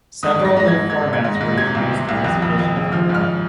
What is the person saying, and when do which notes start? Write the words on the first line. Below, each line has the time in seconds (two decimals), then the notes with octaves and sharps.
Several new formats were introduced in this edition of the rally.
0.23 G#2 D#6
0.39 G#2
0.45 A#6
0.57 G#2 A#6
0.68 G#6
0.73 G#2
0.90 G#2 G#6
1.08 G#2
1.13 G#6
1.24 G#2
1.35 A#6
1.41 G#2
1.58 C3 G#6
1.75 C2
1.91 C3
2.09 C2
2.24 F2 F#6
2.42 F2
2.59 F2
2.76 C#3
2.92 F3 F6
3.09 G#2
3.15 F6